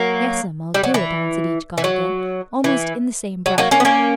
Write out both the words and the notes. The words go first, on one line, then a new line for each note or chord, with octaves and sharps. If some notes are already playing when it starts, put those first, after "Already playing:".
"Yes'm, I'll do it," answered each girl again, almost in the same breath.
Already playing: F#3 A#3
G3
F#3
E3
E3
F#3
E3
F#3
F#3 A#3
A#3 C#4
B3
A#3 C#4